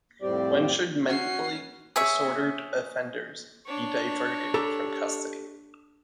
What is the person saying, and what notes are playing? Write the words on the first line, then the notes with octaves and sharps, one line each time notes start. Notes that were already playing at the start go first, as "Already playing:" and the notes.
When should mentally disordered offenders be diverted from custody?
F2 A2 G3 C4 G4 D5
C#4 F#4 C7
G#4 C#5 E5
D4 C#5
G4 A4 A#5